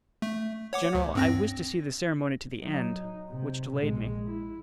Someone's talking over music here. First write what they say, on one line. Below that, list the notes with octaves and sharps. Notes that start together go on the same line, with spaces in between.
"General, I wished to see the ceremony to the end, which delayed me."
A3
C#5 F#5 D6
D2
G2 C4 A#6
F#3 D#4
C3
A#1 G#3
E4